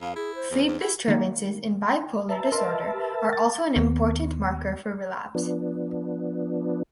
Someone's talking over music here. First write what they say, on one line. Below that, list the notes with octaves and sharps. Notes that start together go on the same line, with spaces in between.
Sleep disturbances in bipolar disorder are also an important marker for relapse.
F2 F5
E4 G#4
C5
E2
E2
E4
D#3 A#3
B4 E5 A5 A#5
A#4 D#5 C6
G4
A#4
A6
D#2 B3
F3 B3 D4